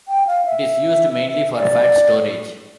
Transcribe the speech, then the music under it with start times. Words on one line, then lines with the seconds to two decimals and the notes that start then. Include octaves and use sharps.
It is used mainly for fat storage.
0.08 G5
0.27 F5
0.45 E5
1.56 D5